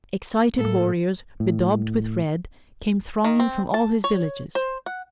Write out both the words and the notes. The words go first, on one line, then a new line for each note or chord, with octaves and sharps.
Excited warriors, bedaubed with red, came thronging from all his villages.
A2 A#3 A4
A2
D#3
C4
A5
C#5
C5
F#5